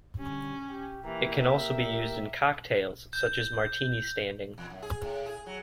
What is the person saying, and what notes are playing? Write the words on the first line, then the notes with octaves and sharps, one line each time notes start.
It can also be used in cocktails such as "martini standing".
D3 G3 C#4
G4
E3 A#3 G4 A#4
E5
G6
E2
F#2
G#4
A2
G#4
F#3